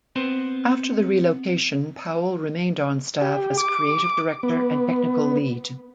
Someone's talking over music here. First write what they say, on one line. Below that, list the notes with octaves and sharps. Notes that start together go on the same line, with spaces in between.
After the relocation, Powell remained on staff as creative director and technical lead.
B3 C4 B4 C5
G4
D6
B3